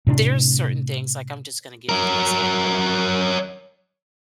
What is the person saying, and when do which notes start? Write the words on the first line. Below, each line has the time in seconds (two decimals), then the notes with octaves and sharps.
there's certain things like, I'm just gonna give you an example.
0.07 A2 C3 C4 D4
1.89 F#3 A#4